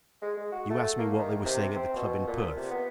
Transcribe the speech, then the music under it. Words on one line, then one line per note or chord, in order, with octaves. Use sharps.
You ask me what they were saying at the club in Perth.
G#3
G#3
F#4
A3
A#3
D#3
C3
C4
B2
A#2
C3
B3